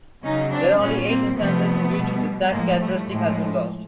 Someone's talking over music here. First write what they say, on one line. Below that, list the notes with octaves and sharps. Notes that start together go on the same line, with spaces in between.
There are only eight instances in which the stacked characteristic has been lost.
C#3 F#3 C#4 D#4
C4 D4
A#2 G3 B3 C#4
A#3 C4
C3 F3 A3 B3
B2 G3
A2 F3 G#3 A#3
G3 A3
A2 F3 G#3